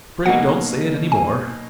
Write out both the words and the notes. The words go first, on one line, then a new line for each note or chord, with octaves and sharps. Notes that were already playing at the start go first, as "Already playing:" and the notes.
"Pray don't say it any more."
B2 F#3 A#3 D#4 F#5
G#5